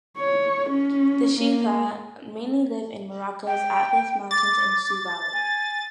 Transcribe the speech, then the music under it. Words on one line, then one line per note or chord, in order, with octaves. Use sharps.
The Shilha mainly live in Morocco's Atlas Mountains and Sous Valley.
C#5
C#4
A#3
G5
D6 A6
G#5